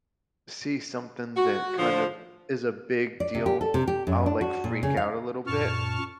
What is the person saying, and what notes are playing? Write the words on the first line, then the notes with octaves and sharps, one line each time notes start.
see something that, kind of is a big deal, I'll, like, freak out a little bit
F#4
D3 F3
D5
C3
G4
A4
C3
G4
F#2
D4
F#4
A#2
C#3
F5
F#2 A#2 A5 C#6 F6